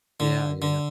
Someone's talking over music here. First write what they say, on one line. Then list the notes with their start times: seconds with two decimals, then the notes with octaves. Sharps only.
Yeah, yeah.
0.20 D3
0.62 D3